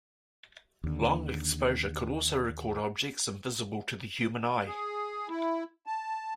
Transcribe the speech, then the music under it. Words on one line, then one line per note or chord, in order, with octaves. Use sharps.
Long exposure could also record objects invisible to the human eye.
D#2 D3
G#4
E4
A5